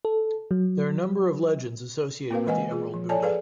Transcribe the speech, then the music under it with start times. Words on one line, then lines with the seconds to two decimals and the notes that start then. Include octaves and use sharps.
There a number of legends associated with the Emerald Buddha.
0.05 A4
0.51 F#3
2.31 A#3 C4 F#4 A#4 B4 F5
2.46 E3 G#3 B4 D#5 F#5 G#5
2.71 F4 G#4
2.94 F3
3.09 A4 C#5 D5 G#5 A5
3.22 G#4 A4 B4 D5 F5